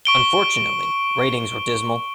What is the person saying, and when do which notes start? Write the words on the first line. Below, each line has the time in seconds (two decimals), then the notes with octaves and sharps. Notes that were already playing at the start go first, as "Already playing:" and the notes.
Unfortunately, ratings were dismal.
0.05 C#6 D7 G7